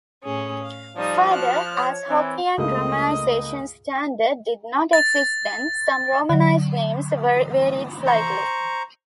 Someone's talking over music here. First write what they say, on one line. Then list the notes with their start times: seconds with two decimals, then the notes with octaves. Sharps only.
Further, as Hokkien romanization standard did not exist then, some romanized names varied slightly.
0.24 A2 C#4 G#4 D#6
0.62 F5
0.96 F3 G3 D#4 D5 D#6
1.31 F#4 A5 F6 F#6
1.73 C#5
2.08 E3 C4
2.58 C#2 A3 A#3 D#5
4.93 A6
6.29 D3 F#3
8.07 C5 A#5 C#6